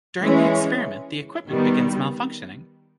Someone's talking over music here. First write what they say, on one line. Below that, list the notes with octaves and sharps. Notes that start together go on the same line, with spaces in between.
During the experiment the equipment begins malfunctioning.
E3 G#3 C#4
D#3 G3 B3